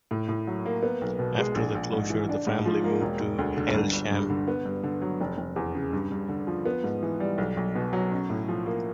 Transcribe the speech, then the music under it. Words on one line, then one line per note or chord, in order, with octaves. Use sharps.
After the closure the family moved to Hailsham.
A2
A2
F#3
A#3
B3
B1
B2
G#3
A#1
A#1
G#2
E3
D4
G#2
F3
A#3
E1
E1
D2
D3
G1
G1
G2
D3
B3
G2
D3
F#3
F1
F1
E2
C#3
G2
G2
D3
F3
B3
G#2
E3
G3
B1
B1
B2
F#3
C#4
A2
F3
A#3